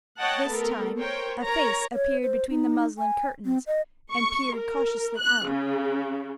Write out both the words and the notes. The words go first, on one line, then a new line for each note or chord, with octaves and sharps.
This time a face appeared between the muslin curtains and peered cautiously out.
C#5 D#5 F#5 G5 A5
A3 B3 A4 A#4
A#4 C5 C#5 G5
A#4 C#5 A#5
C#5
C5
D#4
G#5
C4
D#5
C#6
A#4
F#6
C#3